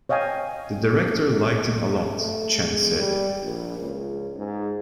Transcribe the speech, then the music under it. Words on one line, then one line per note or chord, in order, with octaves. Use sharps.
"The director liked him a lot," Chan said.
C#5 D#5 F5 G5 G#5
A3
G#3
G3
A#1
C#2
G#2